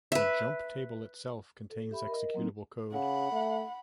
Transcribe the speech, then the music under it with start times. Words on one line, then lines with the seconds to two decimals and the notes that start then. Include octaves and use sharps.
The jump table itself contains executable code.
0.12 B4 E5
1.70 A4
1.91 G4 E5 B5
2.07 A#4 D#5
2.34 F#3 A#3 C4 D#4
2.93 C#3 F#5 B5
3.32 A3